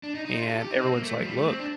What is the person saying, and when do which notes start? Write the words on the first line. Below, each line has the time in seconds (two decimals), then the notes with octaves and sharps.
and everyone's like, "Look,
0.03 D4
0.15 D#4
0.25 D#4
0.37 F4
0.48 A4
0.59 G4
0.70 D#4
0.82 C4
0.92 A#3
1.03 A3
1.18 F3
1.26 G3
1.37 A3
1.48 C4
1.59 D4